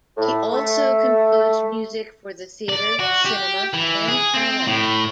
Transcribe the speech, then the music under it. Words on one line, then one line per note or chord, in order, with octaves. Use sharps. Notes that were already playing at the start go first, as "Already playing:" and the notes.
He also composed music for the theatre, cinema and ballet.
A2
A3
D5
F#4
G4
E3
G#4
C4
A2